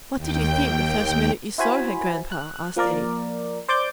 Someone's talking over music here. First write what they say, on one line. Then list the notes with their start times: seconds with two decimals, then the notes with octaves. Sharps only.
"What did you think the first minute you saw her, grandpa?" asked Eddie.
0.16 D#2 G5
1.58 E4 F#4 C5 G#5 B5
2.32 F#6
2.76 F3 A#3 A#4 D5
3.68 C5 D5 D6 G6